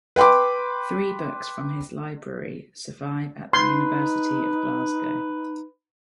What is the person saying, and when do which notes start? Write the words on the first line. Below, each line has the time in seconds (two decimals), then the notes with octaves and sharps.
Three books from his library survive at the University of Glasgow.
0.16 B4 G5 B5 C6 D6
3.53 D#4 B4 C6